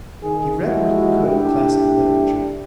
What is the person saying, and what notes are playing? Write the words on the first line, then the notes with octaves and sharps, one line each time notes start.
He read what he could of classic literature.
D#3 G#4
D#2 G#3 E4 F#4
A3 D4 E4 G4